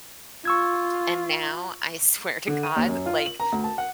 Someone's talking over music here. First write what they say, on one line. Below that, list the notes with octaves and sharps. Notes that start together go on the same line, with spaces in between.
and now, I, swear to God, like,
F4 C#6 E6 G#6
D3
D#7
D#2
F#2
F4
F#7
A#5
D2
A5
F#5